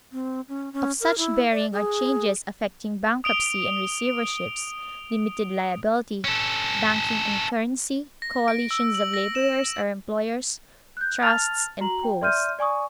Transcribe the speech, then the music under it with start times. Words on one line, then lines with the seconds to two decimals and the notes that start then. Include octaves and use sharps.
Of such bearing are changes affecting bankruptcy and receiverships, limited liability, banking and currency, coalitions of laborers or employers, trusts and pools.
0.12 C4
0.49 C#4
0.73 C#4
1.01 A#4
1.18 E4
1.52 D5
1.73 G#4
3.24 D#6 D7 F7 G7
6.24 C#4 A4
8.22 A#6
8.48 D7
8.71 E6
8.94 F#7
9.14 A#6
9.35 E7
10.97 F#6 G6
11.22 A5 F6 A6 F7
11.81 F#4 A#5 F#7
12.03 G5
12.21 D5 E5 C6 F6 G6 D#7
12.59 D5 G#5 C#6 D#6